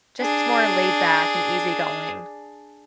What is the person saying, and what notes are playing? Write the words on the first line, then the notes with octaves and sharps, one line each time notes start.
just more laid back and easy-going.
D4 G#4